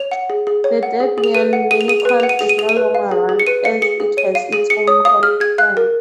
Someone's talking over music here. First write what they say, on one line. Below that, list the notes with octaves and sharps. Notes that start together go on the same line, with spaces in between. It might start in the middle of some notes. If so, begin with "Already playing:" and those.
The Debian Miniconf is no longer run as it has its own conference.
Already playing: C#5 F7
F#5
G#4
G#4
C#5
F#5
G#4
G#4
F7
B4 D#7
F#5
G#4 D#7
F7
G#4 D#7
F7
B4 D#7
F#5 F7
D#7
G#4 F7
D#7
G#4 F7
D#7
B4
F5
G#4
G#4
C#7
B4 D#7
F5 C#7
G#4 C#7
G#4
C#5 D#7
F5 D#7
G#4 D#7
G#4 C#7
C#5 D#6
F5 D#6
G#4 F6
G#4 G#6
F5 F#6
A#4